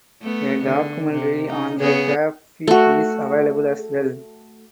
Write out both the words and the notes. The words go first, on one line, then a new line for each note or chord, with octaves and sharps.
A documentary on the cafe is available as well.
A3 B3
D3
C3
D#4
C#3 B3 G#4
A3 F#4